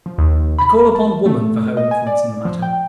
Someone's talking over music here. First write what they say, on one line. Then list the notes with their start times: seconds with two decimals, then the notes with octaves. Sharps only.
I call upon woman for her influence in the matter.
0.06 F3
0.18 D#2
0.59 B5
0.81 A#4
0.95 A5
1.26 A3
1.77 D#5
1.91 G#5
2.07 D5
2.45 F3
2.62 G5